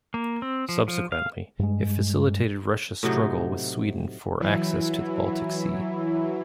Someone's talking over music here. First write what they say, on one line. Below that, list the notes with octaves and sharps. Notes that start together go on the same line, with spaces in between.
Subsequently, it facilitated Russia's struggle with Sweden for access to the Baltic Sea.
A#3
C4
F3
F3
F5
G2 G#3
A2 C3 F#3 D#4
E3 F#3 E4